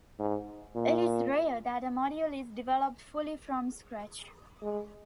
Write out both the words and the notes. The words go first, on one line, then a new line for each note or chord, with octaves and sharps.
It is rare that a module is developed fully from scratch.
G#2
A#2
G#3